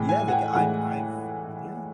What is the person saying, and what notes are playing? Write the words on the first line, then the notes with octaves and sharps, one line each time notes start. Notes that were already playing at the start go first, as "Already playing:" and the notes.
Yeah, the g I'm I've Yeah.
Already playing: A2 E3 G#3 G5
G#5
F#5
G5
A2 E3 G#3 F#5